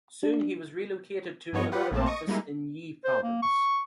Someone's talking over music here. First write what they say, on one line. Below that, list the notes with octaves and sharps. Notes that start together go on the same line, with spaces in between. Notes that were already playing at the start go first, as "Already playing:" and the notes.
Soon he was relocated to another office in Yi province.
D4
G2 F3 B3 C#5 D#5 C#6
F4 G4 B4 F#5
A#1 A3 A#3 C4 A5
D#5 C#6 D#6
G3 G#3 A#3 D#4 E4
C5
A#3
C#6